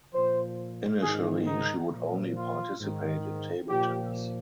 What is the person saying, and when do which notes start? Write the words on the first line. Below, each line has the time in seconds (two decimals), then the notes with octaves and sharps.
Initially she would only participate in table tennis.
0.14 A#2 F3 C5
1.02 G#2 D#3 G#4
1.47 D#4
1.91 A#2 F3
2.37 F4
2.80 G#2 D#3
3.70 A#2 F3 G4